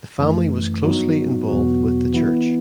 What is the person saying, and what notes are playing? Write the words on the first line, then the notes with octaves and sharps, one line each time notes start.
The family was closely involved with the church.
F#2 E3 A3
G2 F#3 B3 D#4 F#4
E2 B2 F#3 B3 F#4
E3 B3 E4